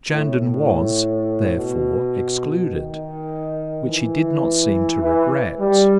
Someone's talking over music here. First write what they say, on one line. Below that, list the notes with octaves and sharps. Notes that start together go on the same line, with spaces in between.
Shandon was, therefore, excluded, which he did not seem to regret.
A2
A2
B2
D#3
E3
E3
G3